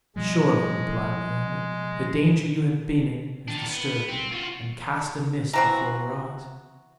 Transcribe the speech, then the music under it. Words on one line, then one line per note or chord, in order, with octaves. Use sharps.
"Surely," replied Leander, "the danger you have been in has disturbed you, and cast a mist before your eyes."
B2 F3 G3 G#3
D#3 D4
B3
C4
F4 F#4
E3 C4 F#4 A#5